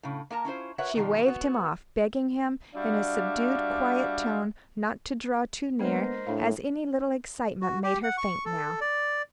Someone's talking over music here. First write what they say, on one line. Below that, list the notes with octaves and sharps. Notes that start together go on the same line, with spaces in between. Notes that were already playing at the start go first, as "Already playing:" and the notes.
She waved him off, begging him, in a subdued, quiet tone, not to draw too near, as any little excitement made her faint now.
A2 C#3
A#3 A#4 A5 A#5
C#4 E4 F4 C5
F#4 A#4 B4 C#5 E5 F#5
B2 D#3 F3 G3
B3 F#4
G3 D4 F#4 E5 F5
G#3 A#3 B3 D4 A#4 C5 D#5
A2 D4 F5
F#4
G4
F#5
C#6
A4
D5